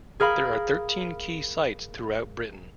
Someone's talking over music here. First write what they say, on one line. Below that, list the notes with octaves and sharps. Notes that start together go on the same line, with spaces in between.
There are thirteen key sites throughout Britain.
G#4 A#4 F5 B5